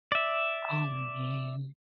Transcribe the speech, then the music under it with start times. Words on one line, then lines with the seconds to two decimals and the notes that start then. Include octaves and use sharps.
Oh, man.
0.12 D5 E5